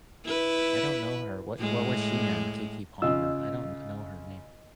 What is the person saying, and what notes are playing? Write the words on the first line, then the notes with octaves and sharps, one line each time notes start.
I don't know her. What what was she in? Keke Palmer. I don't kn know her name.
E4 B4
A2 G#3
C#3 F4 D#5 E6